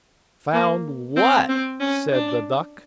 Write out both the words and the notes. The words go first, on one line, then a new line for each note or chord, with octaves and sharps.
'Found WHAT?' said the Duck.
A#3
C4
C4
C#4
D4